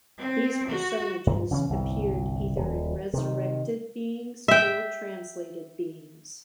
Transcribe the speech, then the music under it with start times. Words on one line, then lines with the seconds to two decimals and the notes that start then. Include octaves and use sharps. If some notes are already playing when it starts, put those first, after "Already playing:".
These personages appeared either as resurrected beings or as translated beings.
0.18 C4
0.69 F#4
1.27 G2
1.51 C#3 E3 C4 C#4
1.70 G1 C2
2.56 D#1
3.13 C3 D#3
4.48 E5 G5